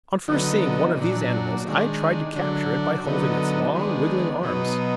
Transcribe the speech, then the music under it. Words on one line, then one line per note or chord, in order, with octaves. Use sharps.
On first seeing one of these animals I tried to capture it by holding its long, wriggling arms.
D3 F#3 B3 D#4
A#2 F#3 D4
D#3 G#3 D4
D3 F#3 D4
D3 F#3 B3 D#4
D#3 G#3 B3 D4
B2 F#3 B3 D#4